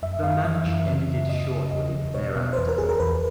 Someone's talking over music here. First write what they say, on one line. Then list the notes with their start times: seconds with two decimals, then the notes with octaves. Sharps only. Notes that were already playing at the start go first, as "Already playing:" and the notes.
The match ended shortly thereafter.
0.03 F#2 E5
0.23 F#2 F5
0.45 E3 E5
0.66 F#2
0.87 C#3
1.09 F#2
1.29 F#2 D#5
1.51 C#3
1.72 E2
1.93 E2
2.14 B2 C#5
2.36 B2
2.53 C5
2.57 E2 B4
2.68 A#4
2.78 E2 G#4
2.89 A#4
3.00 E2 B4